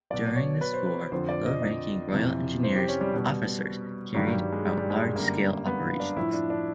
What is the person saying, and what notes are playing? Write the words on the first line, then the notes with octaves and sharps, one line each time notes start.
During this war low ranking Royal Engineers officers carried out large scale operations.
B2 F#3 D5
C#5
B4
C5
B4
F2 D3 F3 C5
D5
D#5
D5
F2 C3 E3
C5
G4
C#4
G3
B2 G3
G2 D#3 F#3 G3
G3
G3
G#3
G3
G3
G#3
G#3
F#2 D3 G3 A#3
B3
D4
A2 F3 E4
D4
D4